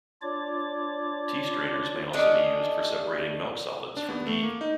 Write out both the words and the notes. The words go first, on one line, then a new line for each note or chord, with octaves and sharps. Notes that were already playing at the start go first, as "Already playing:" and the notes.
Tea strainers may also be used for separating milk solids from ghee.
D4 F4 C#5 D5 D6
A3 C#4 D4 D#5
D4
B3
A3
A#3
D#4